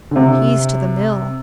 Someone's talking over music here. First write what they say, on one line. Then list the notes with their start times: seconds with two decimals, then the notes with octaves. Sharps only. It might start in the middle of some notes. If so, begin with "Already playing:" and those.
"He's to the mill."
0.11 D3
0.16 C3